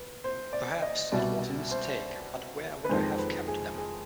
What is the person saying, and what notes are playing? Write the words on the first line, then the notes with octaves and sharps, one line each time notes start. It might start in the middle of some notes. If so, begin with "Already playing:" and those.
Perhaps it was a mistake, but where would I have kept them?
Already playing: B4
C5
D5
D#5
C2 B2 G3 D5
C5
B4
F2 D#3 G#3 C5
B4
G#4
G#4